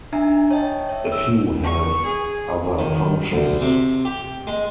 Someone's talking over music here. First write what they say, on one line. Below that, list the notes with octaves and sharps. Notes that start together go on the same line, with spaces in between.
A few have other functions.
D4 D#4 E5 G#5 A#5
C#5 D#5 G5 A5
C#5 E5
E6
C#6
G#4
D#3
D2
C3
G4
G#3